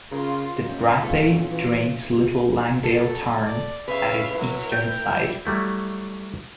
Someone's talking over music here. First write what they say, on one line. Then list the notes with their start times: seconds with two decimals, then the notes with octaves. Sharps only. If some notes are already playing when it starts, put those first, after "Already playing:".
The Brathay drains Little Langdale Tarn at its eastern side.
0.11 C#3 F4 A#4
0.65 F#2 A#2 C#4 D#4
1.03 B1 A3 F4
1.51 E3
2.02 B1
2.84 F#3 A4
3.46 D5
3.88 C#3 B4 E5 F5
4.34 F#3 E4 A#4
4.72 G5
5.05 B2 G3 E4
5.45 F#3 G3 A3 E4